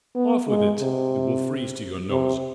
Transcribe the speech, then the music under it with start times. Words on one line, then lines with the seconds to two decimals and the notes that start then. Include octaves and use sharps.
"Off with it, it will freeze to your nose!"
0.15 B3
0.47 G#3
0.80 C3
2.10 C3